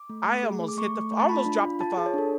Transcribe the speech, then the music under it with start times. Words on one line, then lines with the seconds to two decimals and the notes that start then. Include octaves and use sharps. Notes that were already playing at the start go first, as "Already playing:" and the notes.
I almost hit the fl I almost dropped the phone.
Already playing: D6
0.09 A3
0.27 A3
0.43 G#4
0.60 A3
0.68 D6
0.77 A3 C#6
0.95 A3
1.12 A3
1.20 A5
1.29 F4 B5
1.45 D4
1.63 F4
1.79 F4 A5
1.92 A5
1.97 G#4
2.06 C#5
2.14 D4 A4